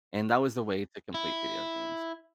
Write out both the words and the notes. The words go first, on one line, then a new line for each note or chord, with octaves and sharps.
and that was a way to complete video games,
E4